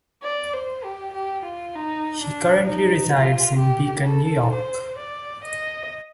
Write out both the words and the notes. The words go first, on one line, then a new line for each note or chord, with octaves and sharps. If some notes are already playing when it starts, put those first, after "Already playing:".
He currently resides in Beacon, New York.
D5
C5
G4
G4
F4
D#4
D4
D#4
F4
G4
A4
C5
D5
D#5